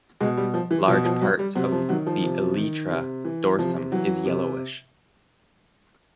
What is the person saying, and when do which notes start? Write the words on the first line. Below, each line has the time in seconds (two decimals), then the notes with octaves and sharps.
Large part of the elytra dorsum is yellowish.
0.20 B2 G#3
0.37 G3
0.54 F3
0.71 E3
0.88 B2 F3
1.05 F3
1.21 F#3
1.39 G3
1.55 C3 F#3
1.72 F3
1.89 D#3 F#3
2.07 F3
2.23 C3
2.57 D#3
2.91 C3
3.25 E3
3.59 C3 F3
3.92 E3 F#3
4.26 C3